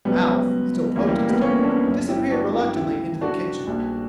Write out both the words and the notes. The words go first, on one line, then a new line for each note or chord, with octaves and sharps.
Alf, still protesting, disappeared reluctantly into the kitchen.
C#2 B2 F#3 G3 B3
D2 C#3 E3 G3 A#3
G3
A#3
G3 B3
A#3 C#4
B3 D4
G1 G2 F#3
E4 G4
D4 F#4
E4 G4
D2 C#3 G3 E4 G4
D4 F#4
A#1 A#2 G3